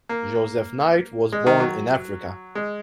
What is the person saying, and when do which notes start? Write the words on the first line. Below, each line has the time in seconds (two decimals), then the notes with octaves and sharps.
Joseph Knight was born in Africa.
0.09 A#3
1.32 G#3
1.47 D#3
1.60 F#3
2.55 G#3